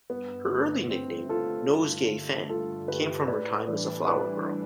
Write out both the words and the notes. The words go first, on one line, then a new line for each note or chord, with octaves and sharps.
Her early nickname, Nosegay Fan, came from her time as a flower girl.
G2 B3
D3 A3
G2 C4
D3 A3 F4 A4
G2
D3 A3
G2 F4 A4
D3 A3 G4 B4
A2 B4 D5
E3 G3 D4 B4 D5
A2 B4 D5
G3 D4